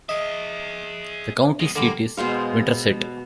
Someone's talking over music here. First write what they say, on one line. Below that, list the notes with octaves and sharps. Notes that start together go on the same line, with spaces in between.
The county seat is Winterset.
G#4 D#5 E5
G#3 B3
D3 G3 A#3
B2 G#3 C5 F5